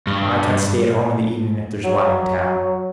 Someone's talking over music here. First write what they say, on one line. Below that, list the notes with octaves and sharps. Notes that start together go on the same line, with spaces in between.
I can't stay at home in the evening if there's one in town.
G2
F#3